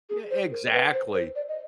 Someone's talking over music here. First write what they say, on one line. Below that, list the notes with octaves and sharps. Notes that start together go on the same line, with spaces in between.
Yeah, exactly.
G#4
C5
A#4
B4
C5
C5
D5
D#5